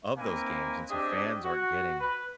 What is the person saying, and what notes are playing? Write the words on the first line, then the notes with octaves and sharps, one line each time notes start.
of those games, and so fans aren't getting
A#3 C4 D#4 E4 B4 G#5
C4 D4 G4 G#4 D#5 E5
F#4
B4